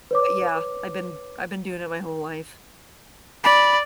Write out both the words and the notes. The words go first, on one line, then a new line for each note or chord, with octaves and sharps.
but, yeah, I've been I've been doing it my whole life.
B4 C#5 D6
D5 B5